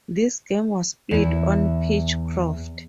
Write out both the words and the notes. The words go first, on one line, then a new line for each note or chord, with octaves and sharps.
This game was played on Pitchcroft.
E2 E4